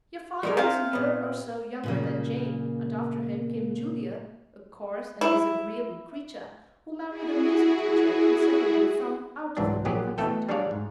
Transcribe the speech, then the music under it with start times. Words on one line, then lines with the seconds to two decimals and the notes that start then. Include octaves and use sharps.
Your father was a year or so younger than Jane, and after him came Julia, a coarse and disagreeable creature who married a music-teacher and settled in some out-of-the-way country town.
0.43 G3 G#3 A#4
0.57 C3 C5 F5
0.93 A#2 B3
1.83 A#2 C#3 A#3
5.21 E4
7.06 E4 F#4 G#4
9.57 C2 G#2 E3 F#3 C4 D4
9.85 A#1 A#2 F#3 G4 G#4
10.18 B2 E3 A3 A4 G5
10.49 G3 D4 G#4 C#5 D5 F5
10.71 G#2